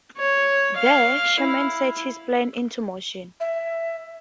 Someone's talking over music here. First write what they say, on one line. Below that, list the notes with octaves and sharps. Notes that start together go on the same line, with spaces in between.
There, Sherman sets his plan into motion.
C#5
F5
E4
E5